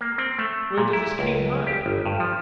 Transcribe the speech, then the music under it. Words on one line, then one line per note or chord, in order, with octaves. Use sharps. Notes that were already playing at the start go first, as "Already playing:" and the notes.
Where does this Kane hide?
A#3
C4
A3
A#2
E4
C#2
G4
G1
G2
F3